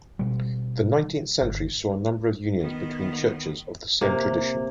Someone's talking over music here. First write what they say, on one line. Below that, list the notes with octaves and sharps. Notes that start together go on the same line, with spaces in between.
The nineteenth century saw a number of unions between churches of the same tradition.
B2 G3
G1
D#3 B3
C3 A#3